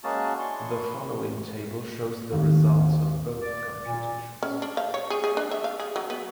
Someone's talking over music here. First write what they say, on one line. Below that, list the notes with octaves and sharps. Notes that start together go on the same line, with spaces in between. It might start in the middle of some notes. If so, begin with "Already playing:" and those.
The following table shows the results of both computations.
G#3 A#3 C#4 F#4 G#4 A5
D4 E4 C6 C#6
G#1 D#2
D5
A#2
C#4
D4
F5
C#5
G#4
G#4
D4
E5
F5
G#4
F#3
B3